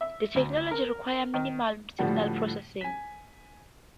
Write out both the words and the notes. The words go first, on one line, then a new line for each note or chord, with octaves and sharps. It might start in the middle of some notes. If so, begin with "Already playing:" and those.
The technology requires minimal signal processing.
E5
D2
A#4
D#3
A2 D3 F3 G3 F#4
G#5 B6